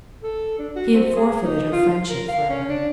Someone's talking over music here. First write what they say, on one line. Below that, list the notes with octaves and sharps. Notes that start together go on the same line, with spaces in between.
He had forfeited her friendship for ever.
A4
D4
F#4
C4
G#4
D#4
F4
F4
A#4
F5
C#4
D4